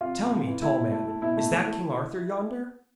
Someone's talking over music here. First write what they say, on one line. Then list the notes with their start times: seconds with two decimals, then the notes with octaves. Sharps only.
'Tell me, tall man, is that King Arthur yonder?'
0.01 C3 F4
0.17 C3
0.31 C3
0.47 E3
0.62 A3 E4
0.77 B2
0.91 A3
1.07 A3
1.22 B2 E4
1.37 A3
1.52 A3
1.67 A3